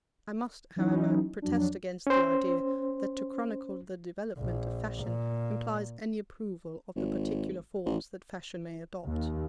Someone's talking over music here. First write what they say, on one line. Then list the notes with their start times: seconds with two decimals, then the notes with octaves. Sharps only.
I must, however, protest against the idea that to chronicle the development of Fashion implies any approval of the particular forms that Fashion may adopt.
0.76 E3 F#3 C#4 D#4 E4
1.42 F2 F#3 D4
2.07 C#4 C5
4.38 A#1
5.03 A#2
6.96 G#1
7.86 A1
9.06 D#2